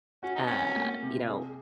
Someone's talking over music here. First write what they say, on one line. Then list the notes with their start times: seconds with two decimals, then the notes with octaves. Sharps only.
uh, you know,
0.23 C#4 F#4
0.35 D#4
0.46 C4 C#4
0.76 A#3
1.03 C3
1.29 G#4